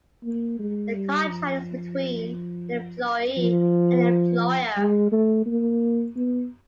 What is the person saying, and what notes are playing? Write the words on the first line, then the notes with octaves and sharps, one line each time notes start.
The contract is between an "employee" and an "employer".
A#3
G#3
G3
F3
F3
G#3
A3
A#3
B3